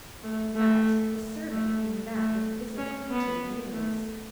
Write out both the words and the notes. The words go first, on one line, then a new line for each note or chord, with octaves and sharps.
But the servant came back with disappointing news.
A3
A3
A3
A3
C#4
B3
A3